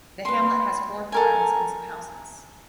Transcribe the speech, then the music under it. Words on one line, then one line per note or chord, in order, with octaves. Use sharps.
The hamlet has four farms and some houses.
B4 C6
A4 A#4 G#5